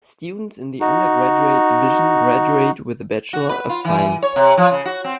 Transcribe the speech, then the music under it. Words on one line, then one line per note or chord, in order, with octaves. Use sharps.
Students in the undergraduate division graduate with a Bachelor of Science.
D#4 F#4
F#4
B4
F4
E3
C#5
C3
F3
C#3
F#4
C4